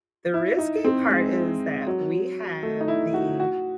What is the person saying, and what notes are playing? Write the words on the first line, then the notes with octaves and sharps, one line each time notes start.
the risky part is that we have the
E4
D#4
C4
G#3
F#3
A3
D#4
E4
F#4
F#4